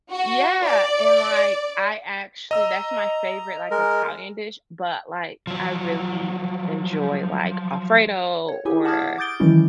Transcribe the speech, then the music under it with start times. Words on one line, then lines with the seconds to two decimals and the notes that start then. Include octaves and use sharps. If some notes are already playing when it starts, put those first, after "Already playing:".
Yeah, and, like, I actually that's my favorite, like, Italian dish, but, like, I really enjoy, like, Alfredo or,
0.11 F#4
0.64 D5
2.51 D#5 A#5 E6
3.71 G#3 A#4
5.47 F3 F#3
8.48 C#5
8.65 E4 G4 G#4 G#5
8.85 F#5 A5 D6 D#6 F6 G#6
9.18 D6 D#6 G6 A6 D7 G7
9.40 D#3 E3 F#3 G#3 C#4 E4